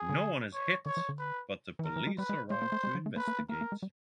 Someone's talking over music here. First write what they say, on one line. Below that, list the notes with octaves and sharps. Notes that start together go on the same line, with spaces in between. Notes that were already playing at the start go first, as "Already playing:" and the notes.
No one is hit, but the police arrive to investigate.
Already playing: G#4
D3
C#5
D#3 C#5
F3
D3
B4
E3
D#3 A#4
E3
G#3
G3 B4
G#3
G#3 C5
A#3
A3
G#3
F#3
A3
A#3 B4
A#3
A#3
A#3 A#4
A#3
G#3
G3